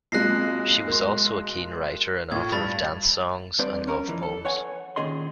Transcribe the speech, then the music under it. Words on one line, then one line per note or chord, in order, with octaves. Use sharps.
She was also a keen writer and author of dance songs and love poems.
B1 G#3 A#3 C4 F4 F#6 A#6 C7
A#4 C6
A2 F4 G#6
G2 A5 B5 A6
G2 C4 B4 C5 D5
C#4 A#4
F2 E3
A4
B4 C#5 F#5 G#5
A#2 D#3 C#4 G#4 D#5 C6